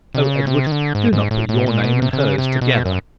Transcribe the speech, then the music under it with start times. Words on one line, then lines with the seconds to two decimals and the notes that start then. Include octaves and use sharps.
"Oh, Edward, do not put your name and hers together!"
0.15 C3
0.24 C#3
0.47 C3
0.67 D#3
0.72 D3
0.95 G#2
1.13 G#2
1.31 A2
1.49 A2
1.66 A#2
1.84 B2
2.02 C3
2.13 C3
2.20 C#3
2.38 C3
2.61 B2
2.85 F#2